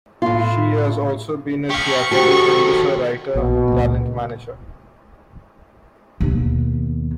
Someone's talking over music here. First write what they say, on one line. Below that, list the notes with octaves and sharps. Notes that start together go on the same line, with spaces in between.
She has also been a theatrical producer, writer and talent manager.
A2 F4
G4 F5 C#6
D#3 A3 F#4 G4 C5
A#1 B2
C#2 A#2
D#2 B2